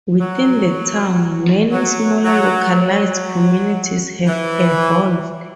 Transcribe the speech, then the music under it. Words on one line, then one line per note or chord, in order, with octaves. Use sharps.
Within the town, many smaller localized communities have evolved.
F#3
F#3
F#3
F#3
E3